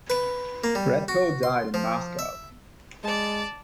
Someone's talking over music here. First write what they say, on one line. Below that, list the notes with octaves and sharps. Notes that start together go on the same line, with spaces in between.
Red'ko died in Moscow.
B4
A#3
G3
F#4
C6
F3
E5
G#3 D5 A5